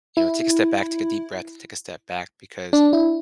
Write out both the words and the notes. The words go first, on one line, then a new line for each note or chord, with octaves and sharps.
you know, take a step back, take a deep breath, take a step back because
E4
D4
E4